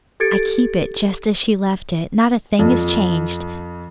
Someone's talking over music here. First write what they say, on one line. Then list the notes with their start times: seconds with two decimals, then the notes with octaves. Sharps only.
I keep it just as she left it, not a thing is changed.
0.20 G4 A4 G#6 A6 C#7 D7
2.59 F2